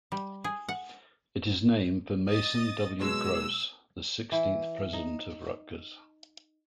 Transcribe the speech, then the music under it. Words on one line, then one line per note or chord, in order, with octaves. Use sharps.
It is named for Mason W. Gross, the sixteenth president of Rutgers.
G3
G#4
F#5
D#5 D#6 A6
B2 F#3 G#3 E6
E3
D#4